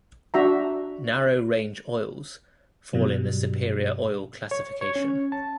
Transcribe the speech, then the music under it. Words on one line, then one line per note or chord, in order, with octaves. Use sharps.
Narrow-range oils fall in the superior oil classification.
D4 F#4 E5 A#5
G2 B2 F#3 G3
C#5
C#5
C#4
A5